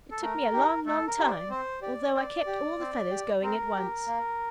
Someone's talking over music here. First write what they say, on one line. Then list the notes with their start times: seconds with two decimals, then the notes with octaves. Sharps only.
"It took me a long, long time, although I kept all the feathers going at once."
0.11 A4
0.22 A3 A#4
0.53 D#4 G4
0.86 A3 A4
1.07 A#4
1.18 D#4 G4
1.25 C5
1.29 D5
1.50 C4 C5
1.82 G4 D5
2.14 C4 D5
2.47 G4
2.79 C4
3.10 G4
3.43 C4 A#4
3.75 G4
4.07 A#3